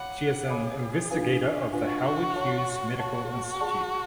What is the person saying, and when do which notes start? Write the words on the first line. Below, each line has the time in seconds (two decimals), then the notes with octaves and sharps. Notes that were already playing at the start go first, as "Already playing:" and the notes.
She is an Investigator of the Howard Hughes Medical Institute.
Already playing: C#5 F5 F#5 B5 D6
0.48 G#4 C#5 F5 B5 D6
1.11 D4 F4 B4 F5 G#5
1.73 D4 F4 F#4 B4 F5 G#5
2.36 C#5 F5 A5 C#6
2.98 F#4 C#5 F5 A5 C#6
3.60 G#4 D5 F#5 A5 C#6